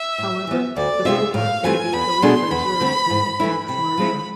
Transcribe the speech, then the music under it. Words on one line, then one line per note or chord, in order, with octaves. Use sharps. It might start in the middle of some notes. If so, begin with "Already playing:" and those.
However, the robot baby goes berserk and attacks Marcia.
Already playing: E5
A2
E3 B3
D2 D5
C3 G#3 C4 F4 E5
A2 F5
E3 A3 C4 F4 G#5
E2 B5
B2 A3 D4 G#4 C6
E2 B5
D3 A3 C4
G#2
E3 A3 E4
C3 B5
F3 G#3 C4 E4